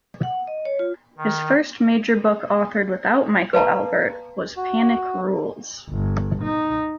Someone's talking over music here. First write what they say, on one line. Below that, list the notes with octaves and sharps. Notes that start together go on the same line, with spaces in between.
His first major book authored without Michael Albert was "Panic Rules".
F#5
D#5
C#5
F4
D#3
B4 F5 A5 A#5
F#4
G1
D#4